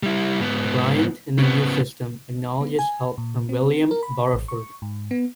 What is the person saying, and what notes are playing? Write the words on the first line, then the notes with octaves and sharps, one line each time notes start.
Bryant in the "New System" acknowledges help from William Barford.
G3 E4
G#2 B3
C#3 B3
B3
G#5
A#2
C4
A#4
B5
A1
C#6
G#2
B3